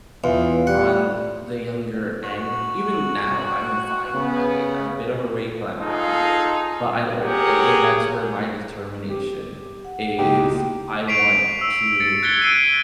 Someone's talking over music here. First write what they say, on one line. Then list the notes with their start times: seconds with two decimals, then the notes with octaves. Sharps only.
on the younger end even now, I'm fine with my weight. I'm a bit overweight, but I'm happy with it. But I don't a and that's where my determination is. I want to
0.24 E2 E3 F4
0.67 G3 F#5
2.24 F#4
4.13 C#3 B3
5.77 D#4 F4 G#4 A4 F5
7.22 G4 G#4 A#4 C#5 F#5
9.10 G4
9.85 F#5
10.18 C#2 B2 A#3 D#4 E4 G4
11.07 C#6 B6 C7 D7 F7
11.61 E6
12.00 A6 C#7
12.23 F#6 G#6 A6 B6 C#7 G7
12.42 E6 C7 D7 D#7